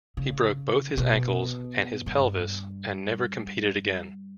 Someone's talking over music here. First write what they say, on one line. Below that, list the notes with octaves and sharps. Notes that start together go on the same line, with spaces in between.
He broke both his ankles and his pelvis, and never competed again.
C#3
B2
G2